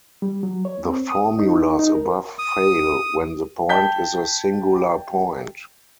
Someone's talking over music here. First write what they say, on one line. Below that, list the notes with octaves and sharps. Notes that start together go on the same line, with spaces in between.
The formulas above fail when the point is a singular point.
G3
F#3
C#5
C4
D#6
D#4
D#4
A#4
D#6
G5 A5 G6 B6